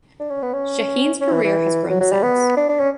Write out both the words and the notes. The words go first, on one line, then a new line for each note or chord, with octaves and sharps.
Sheheen's career has grown since.
D4
C#4
B3
C#4
C#4
E3
E3
F#3
F#3
G3
B3
D4
D4
C#4